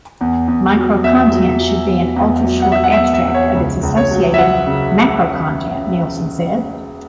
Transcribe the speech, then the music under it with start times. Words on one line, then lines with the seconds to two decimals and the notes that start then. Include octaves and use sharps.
"Microcontent should be an ultra-short abstract of its associated macrocontent," Nielsen said.
0.21 E2
0.48 E2
0.76 F#3
1.04 E2 E5
1.32 F#3
1.60 F#3
1.88 E2
2.16 E2
2.44 F#3
2.62 F#5
2.72 F#3 E5
2.84 F#5
2.92 E5
2.99 E2
3.14 E5
3.28 E2
3.35 C#5
3.55 C#2
3.83 C#2
3.97 C#5
4.11 F#3
4.34 E5
4.38 F#3 F#5
4.67 C#3